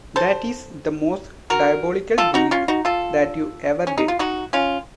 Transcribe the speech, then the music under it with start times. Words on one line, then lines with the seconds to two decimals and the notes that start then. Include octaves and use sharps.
That is the most diabolical deed that ever you did.
0.16 A4 C5
1.50 F#4 A#4
2.18 F4 A4
2.34 D#4 F#4
2.51 C#4 F4
2.68 D#4 F#4
2.85 F4 A4
3.87 C#4
3.98 D#4
4.08 F4
4.19 D#4 F#4
4.53 C#4 F4